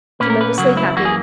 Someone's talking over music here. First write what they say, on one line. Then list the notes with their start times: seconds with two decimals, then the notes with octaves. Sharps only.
'Tremendously happy.
0.20 A#2 A#3 C#4 B4
0.30 A#4
0.41 B4
0.58 F#2 C#3 F#3 A#3 F#4
0.77 E4
0.96 F#2 E3 A#3 F#4
1.05 G#4